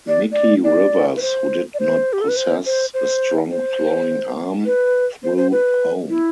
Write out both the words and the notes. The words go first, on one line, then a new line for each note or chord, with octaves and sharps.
Mickey Rivers, who did not possess a strong throwing arm, threw home.
D5
D5
D5
B4
C5
D5
C5
G4
A4
B4
C5
C5
C5
C5
B4
C5
C5
B4
E4